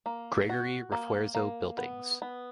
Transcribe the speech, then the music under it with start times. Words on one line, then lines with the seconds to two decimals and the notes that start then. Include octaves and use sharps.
Gregory Refuerzo Buildings.
0.06 A#3
0.50 F#4
0.92 A#3
1.35 A#3
1.78 B3
2.22 B3